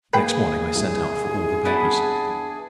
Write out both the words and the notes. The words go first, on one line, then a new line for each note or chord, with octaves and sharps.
Next morning I sent out for all the papers.
A#3 G#4 B4 G5 C7
C2
B3 D4 E4